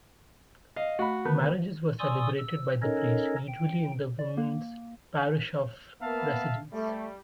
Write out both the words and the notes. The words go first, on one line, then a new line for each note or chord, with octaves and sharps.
Marriages were celebrated by the priest, usually in the woman's parish of residence.
D#5 F5
A3 F#4 B5
D3 D#3 B3
D5 G#5 C6 C#6 D#6 E6
E6
C#4 D#4 A4 A#4 C#5 D#5
G5
D5
A#3
A#3 B3 E5 F5 A5
G3 A3